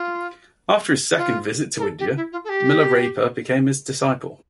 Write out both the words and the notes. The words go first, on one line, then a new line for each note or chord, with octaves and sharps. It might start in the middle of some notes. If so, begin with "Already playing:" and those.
After his second visit to India Milarepa became his disciple.
Already playing: F4
F4
A#4
A4
G4
E4
F4
A4
G4